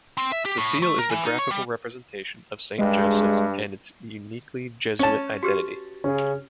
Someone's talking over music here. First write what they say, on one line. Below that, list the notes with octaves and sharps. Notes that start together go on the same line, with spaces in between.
The seal is the graphical representation of Saint Joseph's and its uniquely Jesuit identity.
C4
E5
G4
A2
A3
A#4
E3
D#4
C#5
G3
G2 G#3
C#4 A5
F#4 G4 B4
C#3 C#4